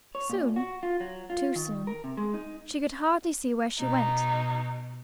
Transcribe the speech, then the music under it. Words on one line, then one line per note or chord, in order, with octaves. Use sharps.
Soon, too soon, she could hardly see where she went.
C#5
A#2
F#4
F4
F#3
F4
D#3
A#4
C3
G#3
D#4
B2 D#4